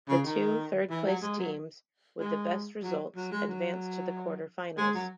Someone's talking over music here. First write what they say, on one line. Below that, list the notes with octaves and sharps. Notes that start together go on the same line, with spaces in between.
The two third-placed teams with the best results advanced to the quarter-finals.
C#3
D#3
E3
F#3
G#3
F#3
G#3
F#3
F#3
G#3
F#3
G#3
F#3